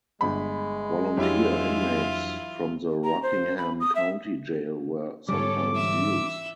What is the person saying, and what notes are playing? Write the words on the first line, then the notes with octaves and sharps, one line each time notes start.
Volunteer Inmates from the Rockingham County Jail were sometimes used.
G1 G#3 B5
F2 E3 F#3 D4 E4 F4 G4
A#5
C5
B5
D#6
E5
G#2 D3 G3 C#4 A4 C#5 D6
E3 E5 E6